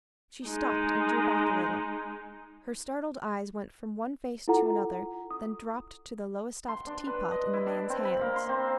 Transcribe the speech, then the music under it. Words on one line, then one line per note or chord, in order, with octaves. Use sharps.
She stopped, and drew back a little. Her startled eyes went from one face to another, then dropped to the Lowestoft teapot in the man's hands.
G#3 D#4
E4 F4 A4 F#5 A#5
D#6
C6
D4
B4
D#5
E4
D4
C4
B5
A#3
C6
C4